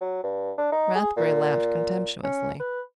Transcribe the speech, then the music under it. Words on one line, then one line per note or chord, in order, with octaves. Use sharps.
Rathbury laughed contemptuously.
F#3
G2
D4
D#4
G#4
A#2
C#4
B4